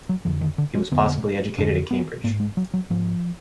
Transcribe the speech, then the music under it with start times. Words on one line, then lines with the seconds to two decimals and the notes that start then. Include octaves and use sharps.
He was possibly educated at Cambridge.
0.09 F#3
0.25 F2 D3 F3
0.41 D#3
0.58 D3
0.75 G#3
0.91 F2 D3 B3
1.58 F2 D3 D4
1.91 B3
2.24 G#2 A#3
2.40 G#3
2.57 F#3
2.74 F#3
2.90 G#2 F3